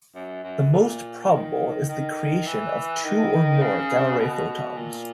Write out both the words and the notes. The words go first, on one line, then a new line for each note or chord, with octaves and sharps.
The most probable is the creation of two or more gamma ray photons.
F#2
F#2
A#2
D#3
D#3
E3
D#3
C#3
B2
A#2